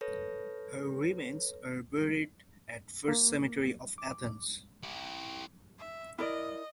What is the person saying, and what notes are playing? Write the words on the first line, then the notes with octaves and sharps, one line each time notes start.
Her remains are buried at First Cemetery of Athens.
A4 B4 C#5 A#6
A#3
D6
E4 G4
E5
E4 A#4 D5 D#5